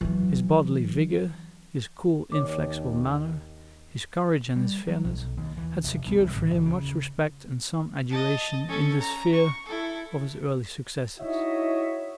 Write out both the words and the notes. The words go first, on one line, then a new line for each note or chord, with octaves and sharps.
His bodily vigour, his cool inflexible manner, his courage and his fairness, had secured for him much respect and some adulation in the sphere of his early successes.
E3 F#3
D#2 C#5 D6
G3
F#3
B1
D#2
E3
F1
B1
C2
G#1
D1
C#3
D#5 A5
C#4 A4
A#5
C#6
E4 A4
D#4 E4 F#4 C#5 D#5 E5